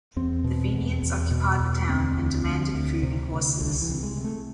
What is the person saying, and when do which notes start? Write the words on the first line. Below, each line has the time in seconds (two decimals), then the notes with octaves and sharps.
The Fenians occupied the town and demanded food and horses.
0.16 E2 C4
0.44 B2
0.73 E2
1.03 E2
1.31 B2
1.60 E2
1.88 D2 C4
2.17 D2
2.45 D2
2.74 D2
3.03 C3
3.32 D2
3.60 C2 D3
3.81 E3
3.89 C3
4.03 G#3
4.17 C3
4.24 A3